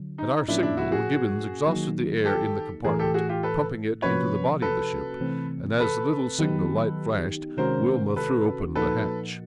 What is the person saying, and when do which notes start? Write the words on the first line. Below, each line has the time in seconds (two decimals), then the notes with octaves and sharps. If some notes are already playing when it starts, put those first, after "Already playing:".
At our signal, Gibbons exhausted the air in the compartment, pumping it into the body of the ship, and as the little signal light flashed, Wilma threw open the hatch.
Already playing: D3 F#3
0.18 D#4
0.48 A2 F3 A#3 C#4 D4 E4
0.63 D4 E4
0.77 E4 F#4
0.92 F#4 G#4
1.67 D#3 F#3 A#3 D#4
2.25 G4 A4
2.84 A2 E3 A3 G#4 A#4
2.99 G4 A4
3.14 F#4 G#4
3.29 F4 G4
3.43 A4 B4
4.02 C3 F3 A#3 C#4 F#4 B4 C#5
4.62 A4 B4
5.21 C3 E3 A3 C4
5.80 A4 B4
6.39 D#3 F#3 B3 D#4 G4
7.57 C3 D#3 G#3 C#4 F#4 A#4 C5
8.16 A4 B4
8.75 A#2 F3 A#3 D#4 F#4 A4 B4